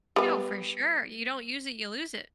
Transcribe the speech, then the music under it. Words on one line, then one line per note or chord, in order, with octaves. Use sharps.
Yo, for sure. You don't use it, you lose it.
G3 B3